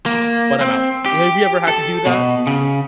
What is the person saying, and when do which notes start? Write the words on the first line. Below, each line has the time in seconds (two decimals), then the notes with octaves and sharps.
but I'm out." Have you ever had to do that?
0.06 A#3
0.61 C4
1.06 G4
1.68 A4
2.06 B2
2.47 C#3